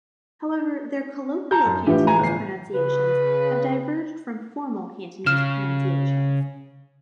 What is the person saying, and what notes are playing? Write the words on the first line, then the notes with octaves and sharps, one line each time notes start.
However, their colloquial Cantonese pronunciations have diverged from formal Cantonese pronunciations.
A5 A#5 G6
F#2
A2 E3 F3 G4
G#5 A#5
G1 C7
C#3 B4
C#3 F6 E7